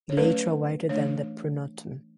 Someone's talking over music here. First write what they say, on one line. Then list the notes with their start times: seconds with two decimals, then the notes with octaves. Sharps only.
Elytra wider than the pronotum.
0.10 C#5
0.17 F#3 A3 C#4 B4
0.89 E3 A3 D4 C#5